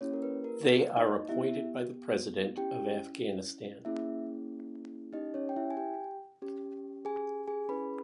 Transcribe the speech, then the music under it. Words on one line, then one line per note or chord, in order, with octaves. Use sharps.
They are appointed by the President of Afghanistan.
A#3 C#4 E4 G4 C#5
A#4
B4
A#4
B4
D#4 D#5
B3 E4 G4 E5
C#4 E4 G4 G5
A#3 C#4 E4 G#4 E5
C#4 D#4 G4 D#5
C#4 C#5
G5
E4 E5
G#5
G4 G5
C#4 G4
G#4 G#5
G#4 G#5
C#4 E4 G#4 B4 B5